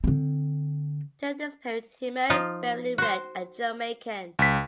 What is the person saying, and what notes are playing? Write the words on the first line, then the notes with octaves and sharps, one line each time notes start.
During this period he married Beverley Reid, a Jamaican.
D3 C4
F3 D#4 F4
F#4 C5
C#2 B6